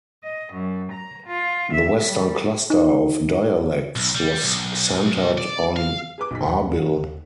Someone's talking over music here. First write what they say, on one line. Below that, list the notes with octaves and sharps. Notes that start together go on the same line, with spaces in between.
The western cluster of dialects was centred on Arbil.
D#5
F#2
A#5
F4
E5
G3
D#4
B1
G3
B1
D5
F5
G#4 B4 D6
F#1 B1 B6
D#2 F#5